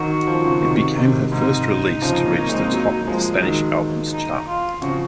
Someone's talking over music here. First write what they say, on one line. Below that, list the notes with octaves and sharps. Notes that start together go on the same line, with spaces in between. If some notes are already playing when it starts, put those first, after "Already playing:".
It became her first release to reach the top of the Spanish albums chart.
Already playing: D#3 F#3 F#4
F3
F#3
C#3 F3
C3 D#3
C3 D#3
G#2 C3 D#4
C#3 F3
A#3 C#4
A#3
G#3 C4
F#3 A#3
F#3
F3 G#3
G#3
D#3 F#3
D#4
F4
C#3 F3 F#4